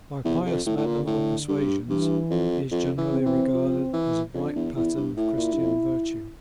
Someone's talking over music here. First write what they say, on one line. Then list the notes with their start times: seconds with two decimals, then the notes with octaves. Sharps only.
By pious men of other persuasions he is generally regarded as a bright pattern of Christian virtue.
0.24 E2 C3
0.46 F2
0.66 A2 D3
0.77 A2
0.86 A#2
1.07 A2
1.48 G2
1.89 G2 E3
2.30 F2
2.71 F2
2.98 E3
3.12 C4
3.26 E3
3.53 F3
3.93 E3
4.34 F2 D4
4.56 E2
4.75 E2 E4
4.97 G2
5.17 A2 E4
5.37 A#2
5.53 G2
5.58 F2